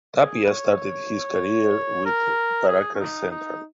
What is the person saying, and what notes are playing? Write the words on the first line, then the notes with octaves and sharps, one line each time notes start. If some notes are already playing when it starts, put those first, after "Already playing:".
Tapia started his career with Barracas Central.
G#4
B4
C#5
A#4
G#4
C#4
D#4
D#4